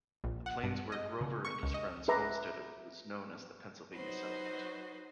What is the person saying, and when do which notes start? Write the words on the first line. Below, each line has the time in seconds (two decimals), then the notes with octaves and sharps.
The plains where Grover and his friends homesteaded was known as the Pennsylvania Settlement.
0.24 A#1
0.46 F#5
0.63 G2
0.92 D#5
1.21 C#3
1.45 C#6
1.63 C#2
1.74 D#5
2.08 G#4 B4 E5 A#5 D6
3.93 F#3 D#4 F#4 B4 C5 D#5